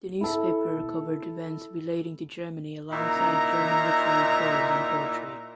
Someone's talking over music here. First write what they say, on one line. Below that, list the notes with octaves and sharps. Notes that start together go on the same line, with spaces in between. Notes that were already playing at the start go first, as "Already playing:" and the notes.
The newspaper covered events relating to Germany alongside German literary prose and poetry.
E4 A4
A#2 D#4 E4 A#5